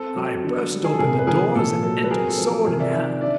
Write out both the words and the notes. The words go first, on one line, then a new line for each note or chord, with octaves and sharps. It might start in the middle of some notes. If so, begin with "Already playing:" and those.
I burst open the doors, and entered sword in hand.
Already playing: C4 A4
F#3
D3
G3
G#4
A4
C3 G#4 A#4
B4
F3 G#4 A#4
A#2 A4
F#3 A4
B4
C4 G#4 A#4
A4
F3
C3 G#4 A#4
D5 E5
D#3 D5 E5
D4 D5 E5